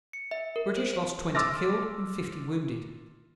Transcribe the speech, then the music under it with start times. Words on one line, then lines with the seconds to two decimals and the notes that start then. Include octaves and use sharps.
The British lost twenty killed and fifty wounded.
0.13 C#7
0.31 E5
0.56 A#4
0.77 C5
0.93 C5
1.35 C6 D6 E6 F6 A6 A#6